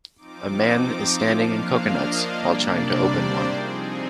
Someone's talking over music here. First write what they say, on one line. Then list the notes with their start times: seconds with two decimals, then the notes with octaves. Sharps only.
A man is standing in coconuts while trying to open one.
0.17 F3 C4 D#4 D6
0.71 D6
1.26 F3 A#3 D4 F5
1.81 D#5
2.36 C3 G3 A#3 D4 D5
2.90 C5
3.45 F3 C4 D#4 G#4